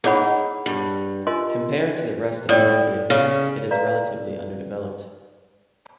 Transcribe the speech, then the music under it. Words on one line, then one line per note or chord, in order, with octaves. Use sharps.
Compared to the rest of Namibia, it is relatively underdeveloped.
G#2 E4 G#4 C#5 F#5 B5
G2
F4 A#4 D#5 G#5 C6
A2 A4 D5 G5
C#3
B4 D5 F5 A#5